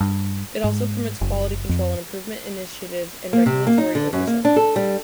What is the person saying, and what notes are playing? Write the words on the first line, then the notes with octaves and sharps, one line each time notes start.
It also permits quality control and improvement initiatives and regulatory oversight.
G2
G#2
F#1
F2
A#3
C3
A#3
D#4
D3
F#2
A#3
D4
A4
G3